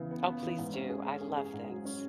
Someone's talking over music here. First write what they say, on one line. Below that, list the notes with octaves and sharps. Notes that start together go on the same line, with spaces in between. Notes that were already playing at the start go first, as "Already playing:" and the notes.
Oh, please do, I love this.
Already playing: C#3 E3 B3
B3
B3
E3
G#2
C#4
G#4
C#4
G#4
G#4
G#2
F#3
C#4